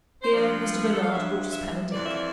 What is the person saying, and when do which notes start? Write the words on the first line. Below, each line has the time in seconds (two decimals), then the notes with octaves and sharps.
Here Mr. Bernard brought us pen and ink.
0.22 C5
0.32 G2 F3 D5
0.72 B4
0.92 A4
1.03 F5
1.12 G2 F3 E5
1.53 E5
1.92 F2 E3 D5
2.04 E5
2.15 D5